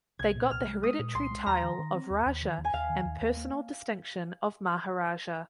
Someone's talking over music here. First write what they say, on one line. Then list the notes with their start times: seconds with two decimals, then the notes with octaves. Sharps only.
They got the hereditary tile of Raja and Personal distinction of Maharaja.
0.19 C2 G#6
0.35 A#2
0.51 C2 F6
0.67 G#3
0.83 G#3 D#6
0.99 A#2
1.15 C2 C6
1.31 G#3
1.46 D#2 A#5
1.62 D#3
1.79 D#3
1.95 C4
2.10 D#2
2.26 D#2
2.42 D#3
2.58 D#2
2.65 G#5
2.73 D#2 F5
2.89 D#3
3.05 D#2
3.21 D#2
3.37 A#3